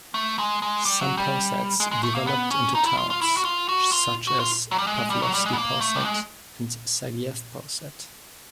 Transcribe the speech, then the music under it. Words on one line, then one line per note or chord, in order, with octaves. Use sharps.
Some posads developed into towns, such as Pavlovsky Posad and Sergiev Posad.
A3
G#3
G#3
G3
F#3
G3
G#3
G#3
A3
A#3
B3
C#4
D#4
E4
F4
F4
E4
F#4
F4
F#4
F4
F#4
F4
F#3
G3
G#3
G3
F#3
G3
G#3
B3
A#3
A3
G3
G#3